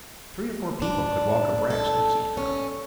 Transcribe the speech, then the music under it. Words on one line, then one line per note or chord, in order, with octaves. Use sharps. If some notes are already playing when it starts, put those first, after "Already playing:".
Three or four people could walk abreast easy enough.
D4
A4
C#4